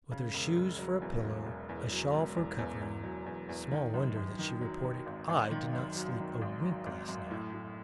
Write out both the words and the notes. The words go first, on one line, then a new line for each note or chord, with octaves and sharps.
With her shoes for a pillow, a shawl for covering, small wonder that she reported, "I did not sleep a wink last night."
C#3
E1
E1
F#3
E2
E1
E1
E2
F#3
E1
E2
E2
E2
F#3
E2
E2
D#3
F#2
F#2
D#3
F#3
D#3
G#1
G#1
D#3
F#2
F#3
D#3
G#1
F#3
G#1
F#2
A2
A2